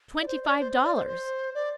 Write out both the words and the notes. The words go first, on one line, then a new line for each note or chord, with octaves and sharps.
"Twenty-five dollars."
D5
C5
D5
C5
C5
D5
C5
C5
D5